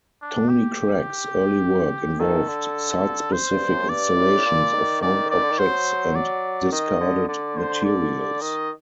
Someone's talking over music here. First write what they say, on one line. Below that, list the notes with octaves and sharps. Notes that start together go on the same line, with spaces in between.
Tony Cragg's early work involved site-specific installations of found objects and discarded materials.
D4
G4
D#3 A4
D3
C5
G2
F#2
G2 D5
A2
A#2
D#3
D5
D5
D3
D#3
F#3 C5
D5
D#3 D#5
D3
D3 D5
C5
D5
D#3 D#5